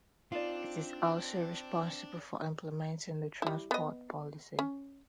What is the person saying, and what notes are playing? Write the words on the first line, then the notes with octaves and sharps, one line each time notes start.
It is also responsible for implementing the transport policy.
C4 D4 D#4 F4 D5
G3 E4
B3 D#5
C#4